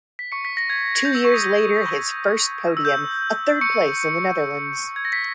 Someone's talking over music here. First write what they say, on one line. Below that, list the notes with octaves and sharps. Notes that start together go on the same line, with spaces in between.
Two years later, his first podium: a third place in the Netherlands.
B6
C#6 C#7
B6
A#6
G#6
G#6
G6
E6
C#6
D#6
E6
G6
C#6 C#7
G#6
A#6
B6